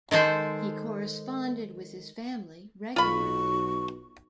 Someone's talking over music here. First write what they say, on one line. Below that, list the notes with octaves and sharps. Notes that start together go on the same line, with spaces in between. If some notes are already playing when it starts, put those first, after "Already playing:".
He corresponded with his family regularly.
D#3 G#3 A4 C5
B1 F4 B5 C#6